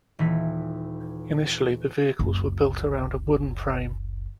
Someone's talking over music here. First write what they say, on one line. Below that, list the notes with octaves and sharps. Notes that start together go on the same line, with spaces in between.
Initially the vehicles were built around a wooden frame.
D#1 E3 B6
F#1 C#2